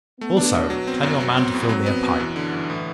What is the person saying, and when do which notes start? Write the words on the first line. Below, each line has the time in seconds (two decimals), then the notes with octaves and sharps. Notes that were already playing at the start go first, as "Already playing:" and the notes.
Also, tell your man to fill me a pipe.
0.21 A3 B3
0.37 D4
0.54 B2
0.70 F#3 B3
0.87 C4
1.03 F#2
1.20 F#3
1.37 C4
1.54 A2
1.69 F#3 C4
1.86 B3
2.03 B2
2.19 F#2 E3
2.36 D3
2.52 G1
2.70 A2